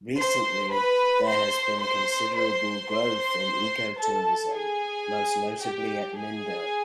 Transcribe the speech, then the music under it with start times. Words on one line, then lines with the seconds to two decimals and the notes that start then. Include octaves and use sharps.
Recently, there has been considerable growth in eco-tourism, most notably at Mindo.
0.18 C5 C6
0.72 B4 B5
1.27 C5 C6
1.81 C5 C6
2.36 C5 C6
2.89 C5 C6
3.99 A4 A5
4.53 G#4 G#5
5.62 G4 G5
6.17 G#4 G#5